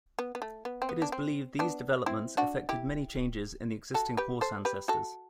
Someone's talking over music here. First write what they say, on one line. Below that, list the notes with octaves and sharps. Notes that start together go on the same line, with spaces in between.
It is believed these developments affected many changes in the existing horse ancestors.
B3
B3
A3
B3
C4
B3
D4
C4
B3 D4
C4 E4
D4 F#4
E4 G4
F#4 A4
G4 B4
A4 C5
G4 B4
F#4 A4